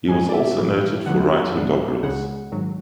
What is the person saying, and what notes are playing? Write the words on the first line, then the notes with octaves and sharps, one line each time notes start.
He was also noted for writing doggerels.
A1 G#2 G#3 G#5
D5
E5
B1 A2 E3
E2 D3 F#3 B3 F#5
A2 G#3 B3 D4
C#2 C#3 G#3 F#5
G#1 G#2 F#3